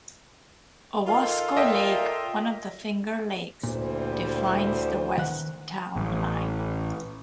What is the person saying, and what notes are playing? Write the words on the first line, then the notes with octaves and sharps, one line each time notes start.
Owasco Lake, one of the Finger Lakes, defines the west town line.
D#3 F4 A4 F5
A#2 D#5 E5 G5
D2 A#2 E3 G3 C5
D#3 F#5
A1